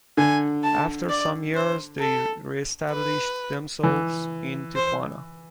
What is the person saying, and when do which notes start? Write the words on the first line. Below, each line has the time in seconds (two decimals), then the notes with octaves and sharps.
After some years, they reestablished themselves in Tijuana.
0.17 D3 G#5
0.64 A5
1.09 D5
1.55 C5
2.00 A4
2.92 B4
3.83 E3
4.76 C5